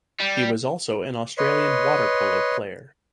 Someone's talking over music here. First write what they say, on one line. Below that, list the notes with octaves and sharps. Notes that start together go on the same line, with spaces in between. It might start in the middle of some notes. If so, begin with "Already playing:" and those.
He was also an Australian water polo player.
G3
B4 C#5 D#5 C6